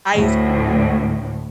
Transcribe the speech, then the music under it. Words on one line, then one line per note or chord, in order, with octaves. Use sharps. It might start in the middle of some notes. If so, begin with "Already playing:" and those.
Ice cream.
D2 A2